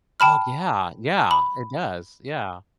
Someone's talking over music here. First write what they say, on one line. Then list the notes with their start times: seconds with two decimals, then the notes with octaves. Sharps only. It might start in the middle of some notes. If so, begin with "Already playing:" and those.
Oh, yeah, yeah, it does, yeah.
0.20 G5 A5 B5 F6
1.31 B5